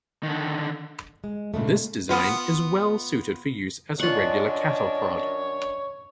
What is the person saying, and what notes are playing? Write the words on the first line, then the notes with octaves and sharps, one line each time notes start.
This design is well-suited for use as a regular cattle prod.
D3 D#3
G#3
A#2 C#3 G#3 A3
B3 F4
F#2 D4 F4 C#5 D#5 F#5